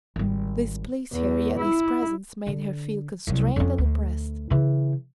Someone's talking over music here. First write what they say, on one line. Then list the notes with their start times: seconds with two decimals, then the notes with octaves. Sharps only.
This pleased her, yet his presence made her feel constrained and oppressed.
0.16 G#1 G3
1.12 E2
1.58 E4
2.47 D3
3.27 C2 F#3
3.56 F2 C#4
3.78 D2
4.50 C#3 E3